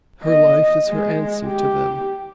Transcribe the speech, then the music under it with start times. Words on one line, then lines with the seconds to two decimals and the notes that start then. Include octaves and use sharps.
Her life is her answer to them.
0.24 D#5
0.89 G#3
1.47 G4